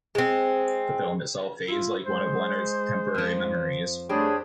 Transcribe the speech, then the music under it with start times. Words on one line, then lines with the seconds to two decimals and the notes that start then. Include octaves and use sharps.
The film itself fades like one of Leonard's temporary memories.
0.15 G#3 C4
1.68 E4 F4
2.06 G#3 C5
3.15 F2 F3
4.09 G3 A3 D4 G4 G#4 A#4 C5 C#5